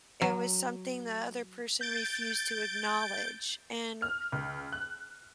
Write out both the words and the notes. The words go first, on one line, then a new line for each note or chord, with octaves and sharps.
it was something the other person refused to acknowledge, and
F#3
G6 A6 D7
F6
C#2
F#6